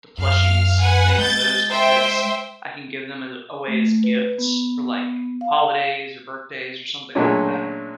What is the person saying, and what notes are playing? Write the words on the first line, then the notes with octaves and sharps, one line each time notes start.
the plushies, making those, because I can give them a away as gifts for, like, holidays, or birthdays, or something like that.
F#2 F5 F6
B4 F#5 G#5
G#3 G6 A6
C5 E5 G5
A3
B4
B3
F5
A#2 F#3 G#3 A3 C#4 D4